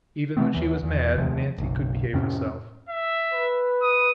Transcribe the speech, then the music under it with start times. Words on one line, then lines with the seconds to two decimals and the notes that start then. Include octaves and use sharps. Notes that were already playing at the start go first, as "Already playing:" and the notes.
Even when she was mad Nancy could behave herself.
0.37 C3 A3 B3 C4
0.54 D#2 E3
0.83 E2
1.18 F1 D#2 C3 F3
1.58 F#1 B1
2.13 F2 A2 C3 C#4
2.89 E5
3.33 B4
3.82 D#6